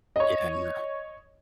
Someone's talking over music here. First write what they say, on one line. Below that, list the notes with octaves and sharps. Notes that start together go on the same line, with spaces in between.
Yeah, no.
C#5 D#5